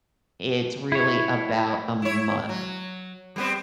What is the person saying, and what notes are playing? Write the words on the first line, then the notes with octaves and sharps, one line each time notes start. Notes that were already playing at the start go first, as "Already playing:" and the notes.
it's really about a month.
E4 C#5
E4 C#5
F#3
G3 B3 C4